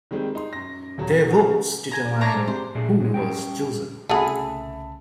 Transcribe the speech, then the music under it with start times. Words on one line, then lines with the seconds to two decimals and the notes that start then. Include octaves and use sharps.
Their votes determined who was chosen.
0.11 D#3 G3 G#3 C4
0.35 D#4 C6
0.53 F#2 A#6
0.98 D#1 F#3
1.10 F1
1.26 C#3 F#4 G#4
1.91 G#5 A#5
2.05 D5
2.21 D4 C#5 A#5
2.34 G#2
2.47 C3 C5
2.75 A#2 A3 D4 G#4
3.00 A2 G#3
3.14 G3 C#4 G5
4.09 C2 C#3 A3 F#4 G#4 E5 A5 B5